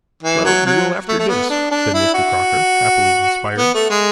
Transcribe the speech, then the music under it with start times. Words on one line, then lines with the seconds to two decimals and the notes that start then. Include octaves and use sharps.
"Well, you will after dis!" said Mr. Crocker, happily inspired.
0.22 E3
0.45 F#3
0.66 F#3
1.08 A3
1.19 A3
1.29 B3
1.50 D4
1.71 D4
1.94 E4
2.14 F#4
3.57 B3
3.74 A3
3.90 G#3